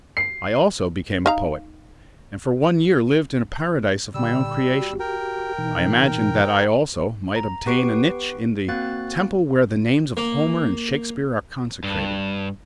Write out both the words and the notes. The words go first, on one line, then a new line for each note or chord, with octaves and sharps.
I also became a poet and for one year lived in a paradise of my own creation; I imagined that I also might obtain a niche in the temple where the names of Homer and Shakespeare are consecrated.
C7
D#4 F5 A#5
A#2 D3 G3 E6
F#4 G4
A#4 G5
B2 E3 D#4
A#5
B3 G4 B4 C#6 C7 D7
A#3 C4 F#4 F#6 A6
A#3
G2